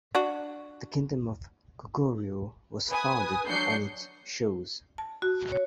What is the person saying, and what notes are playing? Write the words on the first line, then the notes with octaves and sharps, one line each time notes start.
The kingdom of Koguryo was founded on its shores.
D4 F#4
B4 G#5 D#6
F#3 D4 G6 C7 C#7
A5
F#4
C#5